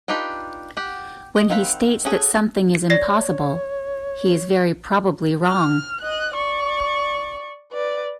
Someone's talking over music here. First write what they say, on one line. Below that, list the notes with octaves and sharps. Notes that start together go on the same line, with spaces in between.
When he states that something is impossible, he is very probably wrong.
D4 D#4 F4 G4 B4
G4 F#5
D#5
D#3 C4 F5 F#5 B5
C#4 F#4 G#4 A4
C#5 D5 A#6 C7
F6
D#5 F#6
D5 C#6
B4 D5